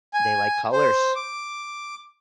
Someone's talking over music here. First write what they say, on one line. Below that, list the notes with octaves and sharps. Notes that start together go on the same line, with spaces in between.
They like colors.
G#5
C5
D6